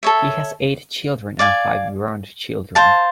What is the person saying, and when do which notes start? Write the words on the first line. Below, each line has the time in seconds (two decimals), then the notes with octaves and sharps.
He has eight children and five grandchildren.
0.03 A4 C#5 E5
1.39 D5 F5 G#5
2.75 C5 F5 A5